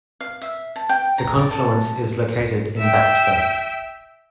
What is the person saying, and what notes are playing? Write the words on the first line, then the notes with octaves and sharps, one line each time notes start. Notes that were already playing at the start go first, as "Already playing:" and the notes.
The confluence is located in Baxter.
F5
E5
A5
G5
A#5
D5
A4
E5 G5